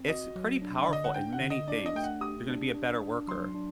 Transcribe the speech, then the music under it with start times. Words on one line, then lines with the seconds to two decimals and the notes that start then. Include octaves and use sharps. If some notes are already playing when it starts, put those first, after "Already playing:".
it's pretty powerful in many things. You're gonna be a better worker,
Already playing: C4
0.08 F#4 D#5
0.36 F#3
0.62 D4
0.83 D5
0.88 D3 D#5
1.04 F#5
1.14 D4 G5
1.32 F#5
1.41 D3
1.50 D#5
1.68 D4 D5
1.86 D#5
1.95 A3 G5
2.04 F#5
2.21 G4 D#6
2.48 D4
2.74 D4
3.01 D4
3.28 F#3 C6
3.55 D4